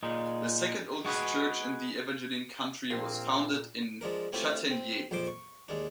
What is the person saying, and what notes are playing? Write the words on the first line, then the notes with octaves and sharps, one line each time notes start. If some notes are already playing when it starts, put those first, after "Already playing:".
The second oldest church in the Evangeline country was founded in Chataignier.
A#2 G#3 D#4
G#3 F#4 G#4 B4
A#1 A#2 A#3 C4
F3 G#3 D4 A#4
A3 C4 C#4 E4 F4 G4
C4
A#1 F2 F3 C5 C6 D6
C#6
D#2 G#3 D4